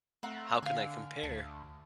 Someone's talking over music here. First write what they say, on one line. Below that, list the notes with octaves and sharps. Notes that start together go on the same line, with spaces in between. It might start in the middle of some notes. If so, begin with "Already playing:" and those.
How can I compare?
A3 C4 A#4 F#5
D3 F5 G#5
D2 A5